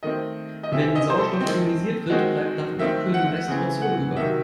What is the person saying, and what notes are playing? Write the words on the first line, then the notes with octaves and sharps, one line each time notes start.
Wenn Sauerstoff ionisiert wird, bleibt nach dem Abkühlen meist Ozon über.
D#3 A3 C4 D#5
D#5
C3 E3 C4 E5
D#5
C5
A4
D#3 G#3 C4
D#3 G#3 C4 F#4
D#3 A3 C4 E5
F#5
C#3 E3 C4
F#5
C3 D#3 F#3 E5